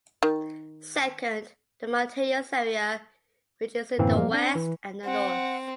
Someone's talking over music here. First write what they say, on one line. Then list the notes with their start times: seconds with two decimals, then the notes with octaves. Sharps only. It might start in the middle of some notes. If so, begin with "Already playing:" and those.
Second, the mountainous area which is in the west and the north.
0.23 D#3
3.98 F#2 A2 D3 E3 A#3 C4
4.15 F3 G3 A3 A#3
4.31 C4 D4
4.55 E3
5.05 C4 F#5